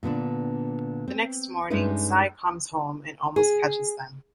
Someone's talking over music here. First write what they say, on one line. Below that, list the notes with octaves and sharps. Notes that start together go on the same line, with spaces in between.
The next morning, Cy comes home and almost catches them.
A#2 D3 B3 D4
C4
G2 G#3 A3 C#4 D#4 B4
G#4